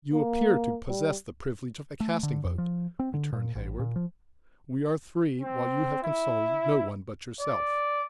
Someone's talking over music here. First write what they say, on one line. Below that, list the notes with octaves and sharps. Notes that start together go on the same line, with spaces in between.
"You appear to possess the privilege of a casting vote," returned Heyward; "we are three, while you have consulted no one but yourself."
A#3
G3
A3
D3
F2
F3
C4
D3
A#2
A1
A#2
F3
C4
E4
D5